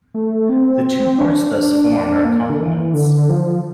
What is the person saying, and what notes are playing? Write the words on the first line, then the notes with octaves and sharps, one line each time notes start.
The two parts thus formed are complements.
A3
C4
D4
D4
A#3
D3
E3
D3
F3